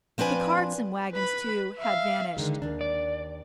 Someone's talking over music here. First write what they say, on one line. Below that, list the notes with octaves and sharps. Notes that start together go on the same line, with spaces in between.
The carts and wagons, too, had vanished.
F3 C4 D4 B4 G#5
B4 B5
E5 F5
D3 D#3 G#3
D#2 D4
D5